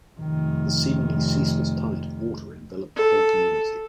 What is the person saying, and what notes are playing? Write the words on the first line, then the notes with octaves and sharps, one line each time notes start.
The seemingly ceaseless tide of water enveloped the whole community.
F1 D#3
A4